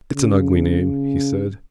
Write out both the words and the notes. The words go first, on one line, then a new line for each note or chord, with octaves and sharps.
"It's an ugly name," he said.
C#3